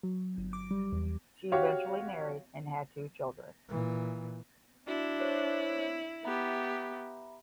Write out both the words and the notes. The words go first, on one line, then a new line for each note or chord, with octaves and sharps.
She eventually married and had two children.
F#3
G1
D6
G3
E2
F#4 G4 C#5 F5
A#2 E3
D4 E4 F#4
C5 C#5
B3 G4 E5 A#5 B5